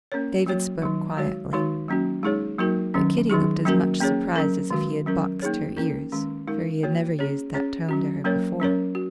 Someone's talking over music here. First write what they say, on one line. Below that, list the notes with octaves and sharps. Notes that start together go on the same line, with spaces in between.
David spoke quietly; but Kitty looked as much surprised as if he had boxed her ears, for he had never used that tone to her before.
A#3 C#4 A#4 C#5
F#3 A#3 F#4 C#5
D#3 F#3 D#4
G#3 F#4 C#5
D#3 G#3 D#4 F#4 C#5
F#3 A#3 C#4 F#4
G#3 D#4 G#4 C#5
F#3 A#3 D#4 F#4 A#4
D#3 F#3 C#4
D#3 F#3 D#4 G#4
F#3 A#3 C#4 F#4 A#4
A#3 C#4 G#4 C#5
F#3 C#4 A#4
D#3 G#3 F#4
F#3 C#4 A#4
A#3 D#4 G#4 C#5
A#3 C#4 A#4
D#3 G#3 C#4
G#3 D#4 A#4
A#3 F#4 C#5
C#4 G#4 C#5
C#4 G#4 C#5
F#3 C#4 F#4
F#3 A#3 C#4 A#4 C#5
F#3 C#4 A#4 C#5
F#4